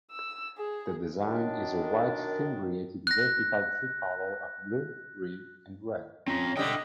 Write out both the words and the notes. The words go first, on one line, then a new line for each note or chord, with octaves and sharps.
The design is a white-fimbriated vertical tricolour of blue, green, and red.
E6
G#4
F#2 D#3 D4
F#6 A#6
C4 C#4 F4 A#5
D3 G3 E4 D#5 G5